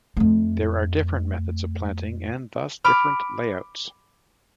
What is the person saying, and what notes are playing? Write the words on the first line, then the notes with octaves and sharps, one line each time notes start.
There are different methods of planting and thus different layouts.
F2 A3
B5 D6 F6